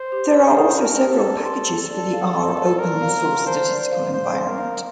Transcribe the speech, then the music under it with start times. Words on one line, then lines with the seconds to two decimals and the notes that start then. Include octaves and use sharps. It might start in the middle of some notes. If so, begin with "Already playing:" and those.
There are also several packages for the R open source statistical environment.
Already playing: C5
0.12 G4
0.34 D5
0.57 D#6
0.79 A#4 A5
1.01 G4
1.12 A4
1.24 D5
1.45 C6
1.68 A5
1.91 D5
2.13 F5
2.35 C6
2.57 A5
2.79 A#4 D5
3.01 F5
3.25 C6
3.47 C5 A5
3.69 D5
3.79 C5
3.92 F5
4.13 C5 F5
4.35 C6
4.47 A#4
4.58 F5